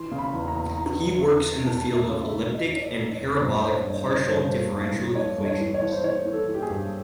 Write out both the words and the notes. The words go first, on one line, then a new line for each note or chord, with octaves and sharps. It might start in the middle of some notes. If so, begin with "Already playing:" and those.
He works in the field of elliptic and parabolic partial differential equations.
Already playing: E3 C6
C#3
B5
E2
A#5
E2
E3 A#5
E3
E2
E3
E2 A5
E2
E5
C#3
E5
E3
E2 D#5
E3 C#5
D5
E3
C#5
E2
G2 C5
C#5
G2 C5
C#5
G2 C5
C#5
C5
E3 C#5
C5
G2 C#5
C5
G2
G2
E3
E3 C#5
G2
C#5
E3
C#5
E3
C5
E3 C#5
E3
A4
E3
G4
G#4
G2